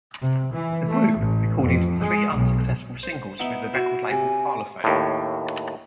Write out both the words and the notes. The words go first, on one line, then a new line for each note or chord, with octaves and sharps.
The group recorded three unsuccessful singles with the record label Parlophone.
C3
E3
A3
A1
F2
G#3
B1
C5
B3 D#4 E4
E4 F#4
C3 G#5
D#2 A2